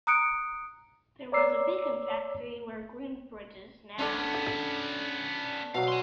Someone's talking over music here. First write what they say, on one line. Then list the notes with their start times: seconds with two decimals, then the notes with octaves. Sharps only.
There was a bacon factory where Greenbridge is now.
0.07 A#5 D#6 F#6 C#7 D7
1.32 C#5 D5 A#5 D6 E6 C7
3.99 B3 C#4 D4 A4 D5
5.74 B2 F#3 F5
5.88 G#5 C6